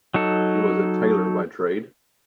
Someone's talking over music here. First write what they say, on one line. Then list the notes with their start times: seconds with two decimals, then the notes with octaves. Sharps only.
He was a tailor by trade.
0.14 F#3 D#4 A4